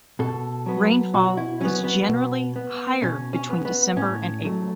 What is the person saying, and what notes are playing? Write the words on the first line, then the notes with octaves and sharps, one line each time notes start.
Rainfall is generally higher between December and April.
B2 A4
F#3 B3
B2 F#4
E4
F#3 B3 C#4
B3
B2
B3
B2 C#4
C#4
B3
B3
A2 C#4
F#3 A3